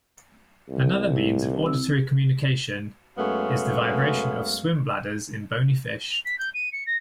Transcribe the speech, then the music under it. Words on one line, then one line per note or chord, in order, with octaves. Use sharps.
Another means of auditory communication is the vibration of swim bladders in bony fish.
C2
E4
C4 E6
F#2 G#3 A3 B3 C#5 F5
F7
B6
G6
D#7
C#7
A#6